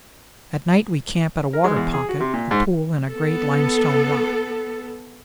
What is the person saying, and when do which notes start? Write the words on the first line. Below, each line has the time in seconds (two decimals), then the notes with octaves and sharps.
At night we camp at a water pocket, a pool in a great limestone rock.
1.53 A#4
1.64 G#3
1.76 E2
1.93 G#4
2.09 F#4
2.20 C3
2.33 A#2
2.51 G#2
3.09 B3 A4